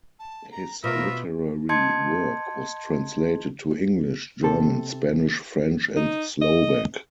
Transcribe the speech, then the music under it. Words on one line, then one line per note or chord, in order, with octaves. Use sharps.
His literary work was translated to English, German, Spanish, French and Slovac.
A5
A#5
B2 F3 A3 F4 A#4 E5
D#5 A5 C6 G6 G#6 C#7
C3 A4
D#4
D#5